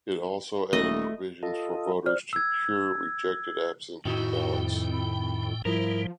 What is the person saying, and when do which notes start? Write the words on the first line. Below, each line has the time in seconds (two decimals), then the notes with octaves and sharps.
It also added provisions for voters to "cure" rejected absentee ballots.
0.73 D#1 A3 D#5
1.43 F4 A4 D#5
2.06 C5 D5 F6
2.33 E6 G#6
4.05 F2 A2 D#3 D#4 E4 F#4 G5
4.93 B5
5.65 G#2 F3 G3 E4 A#4